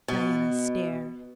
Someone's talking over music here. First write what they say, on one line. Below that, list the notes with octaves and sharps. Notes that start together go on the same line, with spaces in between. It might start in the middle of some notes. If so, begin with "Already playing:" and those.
Diana stared.
B2